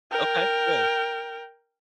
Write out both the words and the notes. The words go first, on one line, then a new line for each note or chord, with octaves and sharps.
Okay. Good.
A#4 G5